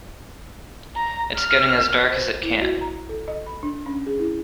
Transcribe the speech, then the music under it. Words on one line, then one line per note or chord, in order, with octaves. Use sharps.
It’s getting as dark as it can.
A#5
F6
C5
E4
F#4
A#5
A4
D#5
B5
D4
C#4
G#4
E4